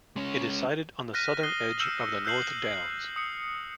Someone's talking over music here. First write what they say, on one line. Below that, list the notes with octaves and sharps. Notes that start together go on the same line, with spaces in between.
It is sited on the southern edge of the North Downs.
G#3 C#4
F6 F#6 A#6 B6 D#7
D#6 F#6 C7 G7
E6 F6 G6 C#7 E7
E6 F#6 G6 C7 F#7
D#6 C#7